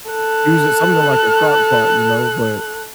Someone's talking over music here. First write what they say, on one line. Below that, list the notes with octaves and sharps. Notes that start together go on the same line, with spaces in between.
use it something like a crock pot, you know, but
A4 F#6